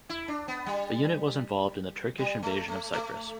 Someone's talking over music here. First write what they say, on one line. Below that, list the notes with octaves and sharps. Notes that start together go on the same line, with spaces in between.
The unit was involved in the Turkish invasion of Cyprus.
E4
D4
B3
G3
G3
A3
A3
A3